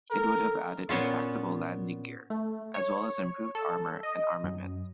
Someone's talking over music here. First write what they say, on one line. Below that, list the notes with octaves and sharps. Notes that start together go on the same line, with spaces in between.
It would have added retractable landing gear, as well as improved armour and armament.
A4 A#4
A#2 B3 C#4 F4
A3
C#5
A4
D#5
F#2